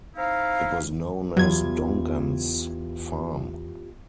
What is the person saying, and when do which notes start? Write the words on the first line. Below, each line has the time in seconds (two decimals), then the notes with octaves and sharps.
It was known as Dongan's Farm.
0.16 C4 D#4 E4 F5
1.37 E2 G#2 F#3 F4 G4 G#6